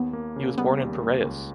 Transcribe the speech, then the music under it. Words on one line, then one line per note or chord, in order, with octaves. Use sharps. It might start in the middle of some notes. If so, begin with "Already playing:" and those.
He was born in Piraeus.
Already playing: D#2 B3
A#3
C#3
G3 B3
D#2
A#3
C#2